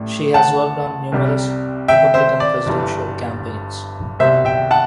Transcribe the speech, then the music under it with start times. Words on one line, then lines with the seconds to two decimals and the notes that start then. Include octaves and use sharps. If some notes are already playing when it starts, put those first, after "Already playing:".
She has worked on numerous Republican presidential campaigns.
Already playing: A1 A2 G3
0.34 F#5 A5
1.12 C2 C3 G3
1.88 E5 G5
2.14 C5 E5
2.40 D5
2.66 G1 G2 E3
4.19 C2 B2 G3 C5 E5
4.45 E5 G5
4.71 F#5 A5